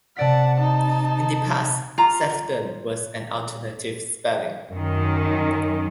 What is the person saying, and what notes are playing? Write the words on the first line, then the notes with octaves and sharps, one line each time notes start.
In the past "Sephton" was an alternative spelling.
C3 D5 F#5 A5 B6
D#4 A5
F4 A#5
F#2 D#3